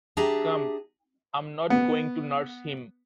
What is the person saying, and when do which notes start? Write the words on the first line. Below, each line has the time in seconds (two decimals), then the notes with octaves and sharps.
Come, I’m not going to nurse him.
0.17 D4 G4 G#4 E5 A5 A#5
1.70 B3